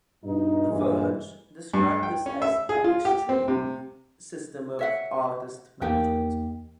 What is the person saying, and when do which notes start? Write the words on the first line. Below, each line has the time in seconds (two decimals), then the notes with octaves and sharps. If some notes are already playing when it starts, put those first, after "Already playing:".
"The Verge" described this as an "extreme" system of artist management.
0.24 G2 B2 D#4
0.69 G2 A#2 E3 G#3
1.74 G2
2.03 G5
2.26 C#4
2.42 E5
2.69 G#4
2.84 F4
3.05 G4
3.29 C4
3.48 C3
4.79 C#5 E5 F#5
5.82 E2 A#3 D#4 G4 G5